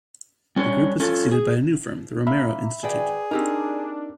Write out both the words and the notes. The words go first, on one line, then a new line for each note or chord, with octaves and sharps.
The group was succeeded by a new firm, the Romero Institute.
G3 C#4 D4 C#5
C#4 F4 A4
G#4
A#3 E5 B5
G#1 F#4 G#4 B4 D5 G5 G#5
C4 D4 D#4 G4 A#4